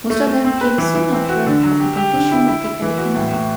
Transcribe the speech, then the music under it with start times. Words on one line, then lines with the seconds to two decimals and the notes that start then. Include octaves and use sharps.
Most of them came soon after of the completion of the Erie Canal.
0.10 A3
0.27 A3
0.44 C4
0.61 B4
0.78 E3
0.95 E3
1.12 C4
1.29 F#4
1.46 D3
1.63 F#3
1.80 G4
1.97 G4
2.14 D3
2.31 E4
2.48 E4
2.65 E4
2.82 E3
2.98 F#4
3.16 A2
3.32 A2